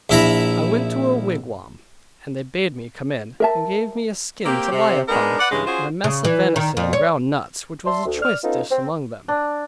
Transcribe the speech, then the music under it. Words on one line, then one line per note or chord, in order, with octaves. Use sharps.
I went to a wigwam, and they bade me come in, and gave me a skin to lie upon, and a mess of venison and ground nuts, which was a choice dish among them.
A#1 E4 A#5 B5
A#4 E5 A5
A#3 C4 G4
C3
G#3 B3 D4 D#4 A#4
B4 D5 F#5
G2 C#3 E3 G#3
C#4 F4 F#4 G#4 C5
C#3
E3
D#3
F2
C#5
D5 E5 A5 C6
D2
D5 F6
B3 C#4 D#4 F4 A4
C4
D4